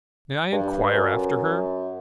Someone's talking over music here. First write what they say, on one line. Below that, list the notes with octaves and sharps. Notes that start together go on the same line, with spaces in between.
May I enquire after her?
G2
F#2